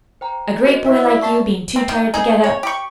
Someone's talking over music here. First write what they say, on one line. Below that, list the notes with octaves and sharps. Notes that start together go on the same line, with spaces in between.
A great boy like you bein' too tired to get up!
C5 G5 A#5
C#4 F#4 A#4 C5 D#5
E4 E5
E4 D5
F#5 A5 C#6
C4
D#3
D#4 G#4
C#5
G4 C#6